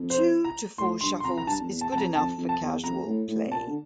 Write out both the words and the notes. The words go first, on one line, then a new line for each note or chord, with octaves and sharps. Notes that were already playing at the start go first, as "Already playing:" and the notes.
Two to four shuffles is good enough for casual play.
Already playing: F2
C5
A#5
A2 C6
G2 C6
C6
F2 A#5
A#5
G2 A5
F2
E2
A5
F2 A5
A#5
F2 A5
F2
A5
E2
F2 A#5
A2
A2
C3
A#2 A5
D3